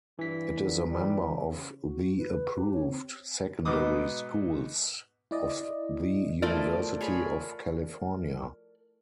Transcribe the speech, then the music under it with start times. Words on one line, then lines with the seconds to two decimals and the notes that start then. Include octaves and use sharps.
It is a member of the approved Secondary Schools of the University of California.
0.19 G2 E3 B6
0.57 D3
0.90 G3
1.31 C#3
1.83 F#4
2.18 B4
2.55 G4
2.73 C#5
2.89 C4
3.65 G#2 B2 B4 D#5 D6 D#6
5.31 E4 D5 D#5
6.42 F3 A3 E4 A#4 D5
7.01 G#4 C#5 B5